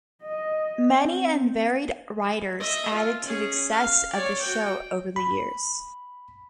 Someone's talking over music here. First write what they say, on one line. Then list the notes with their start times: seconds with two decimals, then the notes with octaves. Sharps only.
Many and varied writers added to the success of the show over the years.
0.23 D#5
0.91 C4
2.60 D#5 E5
2.93 F4
3.24 C#4 G#4
3.71 F5
4.13 C#5 D5
4.41 F#4 G5
5.16 B5